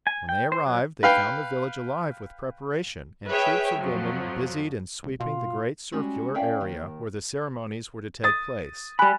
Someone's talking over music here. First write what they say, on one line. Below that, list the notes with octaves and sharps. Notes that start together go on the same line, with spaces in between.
When they arrived, they found the village alive with preparation, and troops of women busied in sweeping the great circular area where the ceremonies were to take place.
G#5
G5
C5
F#3
B4 F5 G5
G#4 B4 C#5 E5 G5
F2 F3 F#3
E1
B2 F4
G3 G#3 C#4 F#4
C#4 E4 D5 E5 F5 G5
D#2 D#3
D#6 A6
G3 G#5 B5 F#6